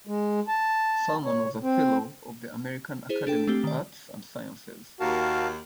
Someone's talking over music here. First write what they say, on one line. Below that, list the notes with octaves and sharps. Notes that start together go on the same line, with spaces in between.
Salmon was a fellow of the American Academy of Arts and Sciences.
G#3
A5
C#5
C4
E4 G#4 C5
D4 A4 G5
A3 C4 G4
D#3 D5
D#2 F#4 A#4 F5 A5